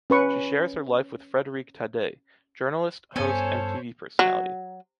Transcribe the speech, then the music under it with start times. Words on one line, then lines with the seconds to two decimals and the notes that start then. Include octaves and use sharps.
She shares her life with Frédéric Taddeï, journalist, host and TV personality.
0.10 C#4 B4 C#6
3.16 G2 B3 C#4 A4 C5 C#5 G#5
4.19 F#3